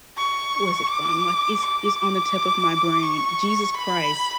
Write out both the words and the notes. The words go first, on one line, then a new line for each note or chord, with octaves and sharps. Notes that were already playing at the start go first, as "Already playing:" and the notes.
what was it from? Like, it's it's on the tip of my brain, Jesus Christ.
C#6
D6
D6
C#6
B5